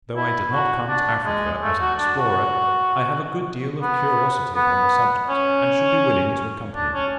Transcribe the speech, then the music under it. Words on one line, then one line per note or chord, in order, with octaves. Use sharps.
Though I did not come to Africa as an explorer, I have a good deal of curiosity upon the subject, and should be willing to accompany you.
E4
F#4
D4
G#3
A3
F#4
D4
F#4
B3
B3
C#4
D4
C#4